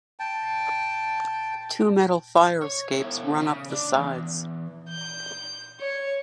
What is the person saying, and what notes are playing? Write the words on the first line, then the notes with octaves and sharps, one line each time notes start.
Two metal fire escapes run up the sides.
G5 A5
C#5
B2 E4
C#3
D4
E2 G#2
G6
C#5